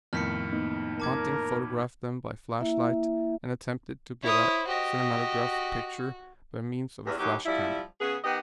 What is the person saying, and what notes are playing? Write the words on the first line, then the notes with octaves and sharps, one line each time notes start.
Ponting photographed them by flashlight and attempted to get a cinematograph picture by means of a flash candle.
F2 A2 D#3 B3 F6 B6 C#7
A#3 B3 D#4
A#4 A5 D6 G#6
A#3 E4 E5
E4 C5 C#5 D#6
F#4 G4 D#5
E2 G2
D#2 F#3 D#4 G4
F3 G3 E4
C#3 B3 G#4
D#3 B3 G4 D#5